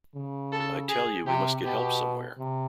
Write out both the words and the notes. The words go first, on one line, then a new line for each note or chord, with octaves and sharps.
I tell you we must get help somewhere.
C#3
A4
G#4
C3 G4
B2 G4
C3